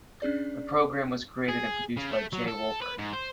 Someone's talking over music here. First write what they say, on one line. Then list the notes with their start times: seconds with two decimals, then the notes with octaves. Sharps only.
The program was created and produced by Jay Wolpert.
0.22 C#4 D4 G#4 D5
1.48 G#4
1.97 C#3
2.11 A3
2.33 F#3
2.48 A4
2.81 B4
2.98 G#2
3.13 C5